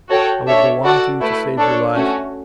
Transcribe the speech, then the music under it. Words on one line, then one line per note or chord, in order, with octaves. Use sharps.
I will belong to you to save your life.
F#4 A4 C#5 G5
D4 A4 C#5 E5
F#4 A4 D5 F#5
A3 E4 B4
D4 A4 C#5
A3 C#4 F#4